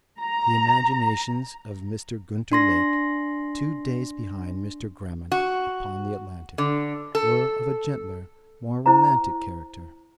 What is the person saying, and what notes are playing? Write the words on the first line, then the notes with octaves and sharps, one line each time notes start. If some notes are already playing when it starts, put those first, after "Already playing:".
The imaginations of Mr. Gunter Lake, two days behind Mr. Grammont upon the Atlantic, were of a gentler, more romantic character.
A#5
D4 C6 A#6
F#4
D3
A4
E4 C5 A#5